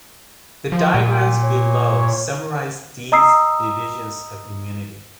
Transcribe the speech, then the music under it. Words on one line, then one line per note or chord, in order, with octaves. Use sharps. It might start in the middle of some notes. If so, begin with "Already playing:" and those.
The diagram below summarizes these divisions of immunity.
F3
A#2
C#5
D#5 A#5 D#6 E6 C7